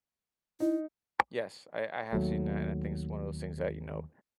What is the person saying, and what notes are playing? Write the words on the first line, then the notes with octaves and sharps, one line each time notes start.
Yes, I I have seen that, and I think it's one of those things that, you know
D#4 E4
D#2 F#3 A3